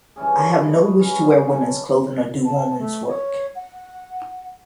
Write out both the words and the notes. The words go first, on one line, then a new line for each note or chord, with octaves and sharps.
I have no wish to wear women's clothing or do woman's work.
G2 E3 C#4 G#4
D4 A#4 B4 C#5
D#5
B4
C#4 B4
G#5 A5
A5
A3
C#5
F#5